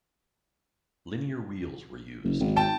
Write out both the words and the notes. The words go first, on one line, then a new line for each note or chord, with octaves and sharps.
Linear wheels were used.
F#1
G#1
G5 A5